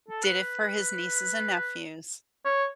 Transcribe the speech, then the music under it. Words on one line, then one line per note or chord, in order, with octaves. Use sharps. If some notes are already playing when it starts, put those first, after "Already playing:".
Did it for his nieces and nephews.
A4
B4
C#5